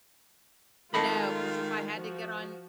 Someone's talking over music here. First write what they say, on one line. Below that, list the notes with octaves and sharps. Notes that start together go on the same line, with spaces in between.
No, 'cause if I had to get on
D#3 G#3 F4 A4 D#5 B5
F3 F#4